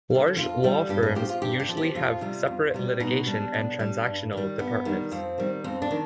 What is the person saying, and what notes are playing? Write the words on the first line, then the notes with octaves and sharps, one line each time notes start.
Large law firms usually have separate litigation and transactional departments.
D3 G3
F2 F4
D3 G3
G2 G4
G#4
F3 G4
F4
G2 G4
G4
F3
G4
F2 F4
C3 G3
F2
C3 G3
B2 D#4
G3 D4
B2
G3
G2
D#3 G3
G2 B3
D#3 G3
F2 C4
D#3 G3
F2 C4
D4
D#3